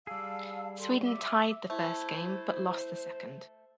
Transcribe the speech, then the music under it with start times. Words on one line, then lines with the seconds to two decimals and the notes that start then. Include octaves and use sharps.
Sweden tied the first game but lost the second.
0.07 G3 G#4 F5 A5 E6
0.78 G4 A4 C6
1.03 E5 D6 E6
1.70 A3 E4 C5